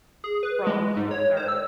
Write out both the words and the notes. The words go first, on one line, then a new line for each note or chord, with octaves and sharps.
from Stuttgart,
G#4
B4
G#3
G#2
C#5
C5
E6